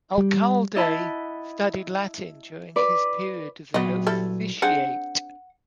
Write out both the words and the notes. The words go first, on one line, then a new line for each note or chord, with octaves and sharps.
Alcalde studied Latin during his period of the novitiate.
G3
E4 D#5 F#5 A5 B5
B4 D5
A#2 F#3 B3 B4 D#5
G3 E4 A4
C4 D4 G#4 F#5